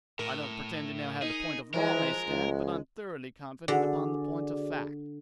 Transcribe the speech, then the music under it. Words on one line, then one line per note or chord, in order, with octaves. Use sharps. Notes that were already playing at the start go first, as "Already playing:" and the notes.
I don't pretend to know how the point of law may stand, but I'm thoroughly confident upon the point of fact.'
A2 A#4
D#4 G#4
E3 F3 G#3 A#4
C#2
D3 F#4 G#4 D5